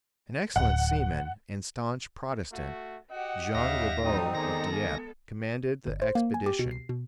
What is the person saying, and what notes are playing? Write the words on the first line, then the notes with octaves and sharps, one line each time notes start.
An excellent seaman and stanch Protestant, Jean Ribaut of Dieppe, commanded the expedition.
D1 G#1 F#5
A3 F#4
F#4 G4 D#5 F#5
D#2 C#3 G4 E5 F5 A#6
A2 E3 G3 C4 D#4 F#4 D#6
D#3 G#3 B3 G#4 A4 D5 A#6
A#3 G#5
G1
C5
A#3
G#5
G4
B2
C7
B2